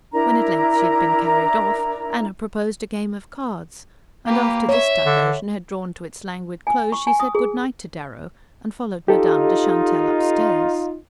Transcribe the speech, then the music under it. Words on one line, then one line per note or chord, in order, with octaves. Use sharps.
When at length she had been carried off, Anna proposed a game of cards, and after this diversion had drawn to its languid close she said good-night to Darrow and followed Madame de Chantelle upstairs.
D4 E4 A#4 A#5
A#3 G4 B4
C#5 E5
D3
G#5
C#6
G#5
D#6
G#4
D#4 F4 G4 A4